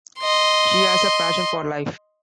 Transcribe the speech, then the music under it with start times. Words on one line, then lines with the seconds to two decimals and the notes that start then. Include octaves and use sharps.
She has a passion for life.
0.20 D#5 C6